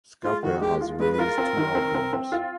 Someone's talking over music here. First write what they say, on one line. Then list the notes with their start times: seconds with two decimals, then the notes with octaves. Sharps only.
Skalpel has released two albums.
0.24 G#3 F4
0.43 D#3 F#4
0.61 G#3 G4
0.81 F4
0.99 G#3 B4
1.12 B4
1.19 F4 A#4
1.38 C4
1.57 D#3
1.75 C4
1.94 C4
2.13 C4
2.32 F4